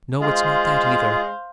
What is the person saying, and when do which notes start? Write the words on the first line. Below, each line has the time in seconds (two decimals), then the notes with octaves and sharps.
No, it's not that either.
0.21 G#3 F4 C5 F5